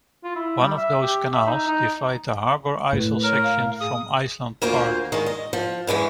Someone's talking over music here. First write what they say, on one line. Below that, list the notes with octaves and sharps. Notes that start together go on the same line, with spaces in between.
One of those canals divides the Harbor Isle section from Island Park.
F4
E4
G3
E5
G4
E5
D#4
D#4
A2 B4
A#4 C#5
F5
G#4 D#6
D2 A#3 F4 C5
D#3 G#3
D#5
F3
E2 E3 G#3 C#4